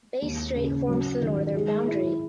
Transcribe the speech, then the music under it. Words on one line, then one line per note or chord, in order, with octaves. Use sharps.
Bass Strait forms the northern boundary.
D#2
C#3
F#3
D#3
G#3
E4